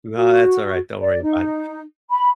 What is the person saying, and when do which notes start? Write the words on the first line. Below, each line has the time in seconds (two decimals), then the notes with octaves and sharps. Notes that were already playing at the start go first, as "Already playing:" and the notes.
No, that's alright. Don't worry about it.
0.14 F#4
1.01 D5
1.22 D#4
2.10 B5